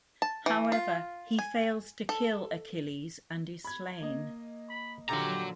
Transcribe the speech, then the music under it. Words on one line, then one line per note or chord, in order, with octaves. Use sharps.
However, he fails to kill Achilles, and is slain.
A5
E3
F4
G#5
A4
B5 G#6
A#3 D#5
B5
A#2 D3 F3 F#3 G4 A#5